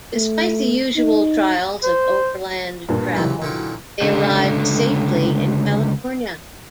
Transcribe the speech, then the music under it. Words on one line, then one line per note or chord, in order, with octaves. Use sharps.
Despite the usual trials of overland travel, they arrived safely in California.
A3
D#4
C5
G2 A#2
C#2 C3 E3 F#3
A#2 D3 D#3
C#2 D3